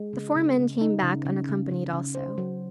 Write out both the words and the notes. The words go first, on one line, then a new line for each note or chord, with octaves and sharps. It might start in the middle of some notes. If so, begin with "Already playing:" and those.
The four men came back unaccompanied also.
Already playing: G#3
C#3
C#3
C#3
D#4
C#3
C#3
C#3
C#3
C#3
C5
F#3